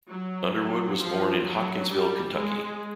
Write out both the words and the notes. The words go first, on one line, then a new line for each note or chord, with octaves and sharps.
Underwood was born in Hopkinsville, Kentucky.
F#3
F#3
F3
F#3
G3
G#3